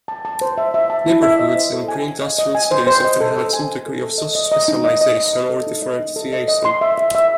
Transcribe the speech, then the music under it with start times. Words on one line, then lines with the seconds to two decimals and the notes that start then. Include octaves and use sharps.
Neighbourhoods in preindustrial cities often had some degree of social specialisation or differentiation.
0.08 A5
0.25 A5
0.41 C5
0.58 E5
0.74 E5
0.90 A5
1.06 E4
1.23 E5
1.39 D#5
1.56 C5
1.73 A4
1.88 G#5
2.05 G#5
2.22 D#5
2.38 D#5
2.55 G#5
2.71 C5
2.87 C5
3.04 D#5
3.20 A4
3.36 C5
3.53 G#5
3.70 A4
3.86 A4
4.02 A4
4.18 D#5
4.35 D#5
4.52 D#5
4.68 D#4
4.84 D#5
5.01 D#5
5.17 D#5
5.33 D#5
5.50 A4
5.67 D#4
5.82 D#5
5.99 D#4
6.16 A4
6.33 D#5
6.48 D#5
6.65 C6
6.81 E5
6.98 E5
7.15 E5